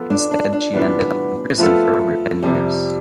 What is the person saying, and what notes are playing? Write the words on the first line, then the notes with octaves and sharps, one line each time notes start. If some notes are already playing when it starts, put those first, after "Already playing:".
Instead she ended up in prison for over ten years.
Already playing: F3 B3 F4 A4
D4
D4
D4
A2 E3 G3 B3 D4 F4
F3 A3 B3 F4 A4
F2 C3 F3 G3